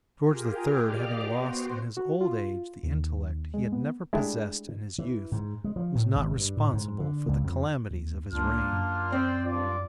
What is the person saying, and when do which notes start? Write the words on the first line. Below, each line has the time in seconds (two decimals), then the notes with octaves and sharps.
George III., having lost in his old age the intellect he had never possessed in his youth, was not responsible for the calamities of his reign.
0.21 F4 G4 G#4 A#4
0.78 G4 D5 D#5 F5 D6 F6
1.23 B3 F#4 C5
1.97 F#4
2.21 F4
2.83 D#2
3.54 G#3
3.72 B3
4.13 G#3 A3 D4 E4 G4
4.98 E3
5.32 G#2
5.64 G#3
5.76 F3
5.95 A2
6.16 G#1
6.37 G2
6.57 A2
6.74 G#2
7.00 D3
7.29 C#2
7.44 F2
7.91 D#2
8.33 C#2 A#3 D4 F4 F6
8.73 F#2
9.12 C4 C5 D5 G5
9.44 G2 F4 D5